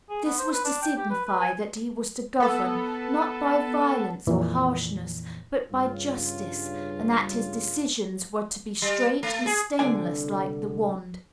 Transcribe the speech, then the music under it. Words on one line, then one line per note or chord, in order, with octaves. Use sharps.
This was to signify that he was to govern, not by violence or harshness, but by justice, and that his decisions were to be straight and stainless like the wand.
G#4
B3
C5
B4
D4
G5
G4
B4
B4
G#5
B3 A4
F2 A#2 E3
G2 C#3 F4
G3
A3
G#4
C2 D3 D#3 D4 D5 G#5